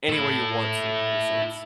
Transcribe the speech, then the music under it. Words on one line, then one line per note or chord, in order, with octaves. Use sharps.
anywhere you want to, in a sense.
E4 A4